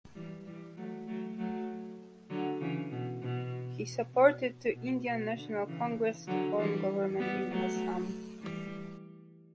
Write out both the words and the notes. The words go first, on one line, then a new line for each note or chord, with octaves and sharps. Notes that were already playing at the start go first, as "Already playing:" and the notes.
He supported to Indian National Congress to form government in Assam.
E3 G3
E3 G3
F#3 A3
F#3 A3
F#3 A3
D3 F#3
C#3 E3
B2
B2
B2
B2
B2
D3
C#3 E3
D3 F#3
E3 G3
G3 B3
F#3 A3
E3 G3